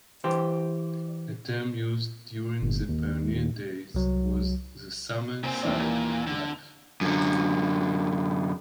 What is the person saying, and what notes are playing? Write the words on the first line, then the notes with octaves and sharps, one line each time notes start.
A term used during the pioneer days was the summer side of life.
E3 G4 C5
G1
D#2
D#2
C2 F#3
A#2 C4 G#5
D#2 E3 D5
A#2
D3
F#2 D3